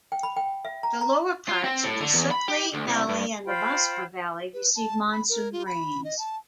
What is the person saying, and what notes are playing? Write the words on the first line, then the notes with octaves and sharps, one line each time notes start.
The lower parts of the Sutlej Valley and the Baspa Valley receive monsoon rains.
G5
B5
G5
E5
A#5
A#5
F4
C4
A2
D3
E2
B5
G4
D2
C2
G2
F4 C5 G5 B5
B4
A5
B5
A#4
F4
B5
D#5
A5